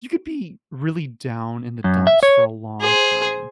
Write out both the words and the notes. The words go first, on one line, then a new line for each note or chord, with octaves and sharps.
you could be really down in the dumps for a long time
F#2
E5
C#5
G#4 C5